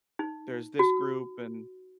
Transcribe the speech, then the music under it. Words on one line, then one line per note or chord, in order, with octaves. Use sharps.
"There's this group and"
D#4
F#4